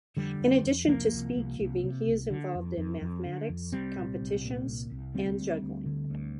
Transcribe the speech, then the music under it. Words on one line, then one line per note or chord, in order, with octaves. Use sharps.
In addition to speedcubing, he is involved in mathematics competitions and juggling.
F2 D3 G3
F2
F2
C2 F3 A#3
C2
C2
C2
C3
C2
D3
F2
F2
F2
D3
F2
C2 G3 C4
A#2
C2
A#2
C2
C2
D2 G3 C4
D2
D2
D3
D2